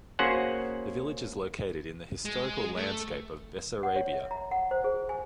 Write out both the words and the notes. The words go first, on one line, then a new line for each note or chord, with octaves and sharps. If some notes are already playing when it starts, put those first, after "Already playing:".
The village is located in the historical landscape of Bessarabia.
A#3 C#4 F#4 G#4 C5 F#5
G#3
A3
F#5
C#5
E5
A#5
F#5
C5
G#4
G#5